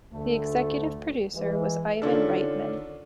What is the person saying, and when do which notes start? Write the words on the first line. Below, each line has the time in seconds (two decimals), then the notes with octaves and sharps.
The executive producer was Ivan Reitman.
0.13 D2 A3
1.35 E3 G#3
2.02 D3 D#3 C#4 D4 F4 A4